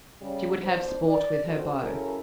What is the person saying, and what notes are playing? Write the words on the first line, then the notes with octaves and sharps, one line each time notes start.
She would have sport with her bow.
C#3 G3 C#4
F2 B2 D4 C5
D5
C4 D4 F4 F#4 A4 C5
C#3 F#3 C#4 E4 A4 A#4